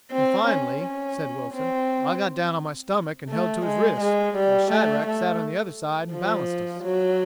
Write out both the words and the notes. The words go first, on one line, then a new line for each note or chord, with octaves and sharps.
"And finally," said Wilson, "I got down on my stomach and held to his wrists, while Shadrack sat on the other side and balanced us."
C4
C#4
C#4
C4
A3
G#3
G#3
G3
A3
A3
F3
F#3